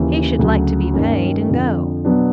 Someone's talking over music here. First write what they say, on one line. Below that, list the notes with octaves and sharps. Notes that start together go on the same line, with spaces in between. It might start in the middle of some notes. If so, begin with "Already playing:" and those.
He should like to be paid, and go.
Already playing: D#2 C#3 E3
D2 C#3 F#3
G2 D#3 G3 A#3 C#4
F2 D3 F3
B2 F#3 B3 D4